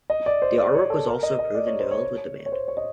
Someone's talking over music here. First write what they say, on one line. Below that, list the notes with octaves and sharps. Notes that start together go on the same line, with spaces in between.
The artwork was also approved and developed with the band.
D#5
D5
C5
D5
C#5
A4
A#4
D#5
D#5
D5
C#5
C5
C#5
C#5
C5
C#5
D#5